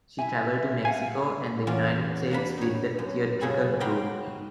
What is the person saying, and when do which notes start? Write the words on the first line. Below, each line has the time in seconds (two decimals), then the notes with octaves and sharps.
She traveled to Mexico and the United States with the theatrical group.
0.19 E4 E5 G#5
0.85 F5 F#5 G#5
1.67 E2 C#4 F4 D5
2.31 A#3 D4 B5
2.58 D#4 C#5
2.99 F#2
3.41 F#2 C#3 C#4 G#4 A4 B5
3.80 D#4 F#4 G4 F5 G5 B5